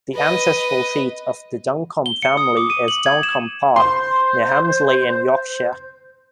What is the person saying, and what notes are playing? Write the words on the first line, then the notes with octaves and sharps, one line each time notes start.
The ancestral seat of the Duncombe family is Duncombe Park near Helmsley in Yorkshire.
B4 D#5
G7
C#7
D#6
D6
D#7
F#7
G#6
E7
C5 C6